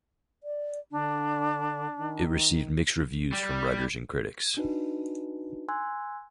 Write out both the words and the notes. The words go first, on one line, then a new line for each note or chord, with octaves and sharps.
It received mixed reviews from writers and critics.
D5
D3 D4
D#3
G3
D4 D#4 F#4 B4
G#5 C6 E6 F#6 G#6